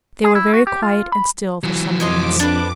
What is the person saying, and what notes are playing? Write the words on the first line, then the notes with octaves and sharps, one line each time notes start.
They were very quiet and still for some minutes.
G#4
E4
F#4
G4
F4
B5
E3 F#3
F2 C#5 D#5 C6 D6
D4 B4